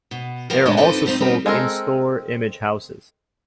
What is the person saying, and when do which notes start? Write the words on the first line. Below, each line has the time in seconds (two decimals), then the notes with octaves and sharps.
They are also sold in store image houses.
0.11 B2
0.50 F3 G3 C4 A#4 F5
0.66 A2 D3 G3 G#3 D4
0.77 C4 D4 D#4 F4 A4 B4
1.06 F3 G3 C4 D#4
1.20 D#3 G3 B3 C4 A#4 B4
1.46 G#3 C4 A4 A#4